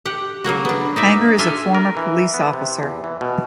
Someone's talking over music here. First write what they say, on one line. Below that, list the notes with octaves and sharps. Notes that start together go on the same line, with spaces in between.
Hanger is a former police officer.
G4 F#5
C#3 F#3 A#3 F#4
B3 D4
D#4 D5 E5
D4 F4 A4 E5 G#5
A#4
E3
B3
C3
E2
E3
B2